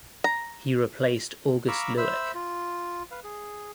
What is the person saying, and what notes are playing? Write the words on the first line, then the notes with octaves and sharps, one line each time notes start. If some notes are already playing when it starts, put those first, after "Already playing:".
He replaced August Luik.
A#5
F5 A#5 B5 C#6 D6 E6
C5 E5 B5 E6
F4
B4 F5
G#4